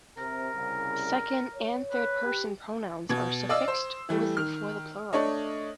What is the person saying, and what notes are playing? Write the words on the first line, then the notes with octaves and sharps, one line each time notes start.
Second- and third-person pronouns are suffixed with for the plural.
C3 A#4
C2 C#3
C#5
B4
G4
B2 G#6
D5 D#5 F5 E6
C5
E3 G3 A3
D#3 F6
A3 D4 C#5 D#5